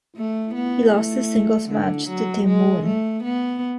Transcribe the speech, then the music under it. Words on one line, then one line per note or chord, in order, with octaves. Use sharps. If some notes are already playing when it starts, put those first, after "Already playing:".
He lost his singles match to Tim Woon.
A3
B3
A3
D3
F#3
G#3
A3
B3